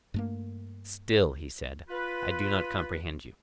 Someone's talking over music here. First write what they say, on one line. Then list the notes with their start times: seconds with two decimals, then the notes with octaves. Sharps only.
Still, he said, I do not comprehend you.
0.14 G2 A3 A#3
1.89 F4 B4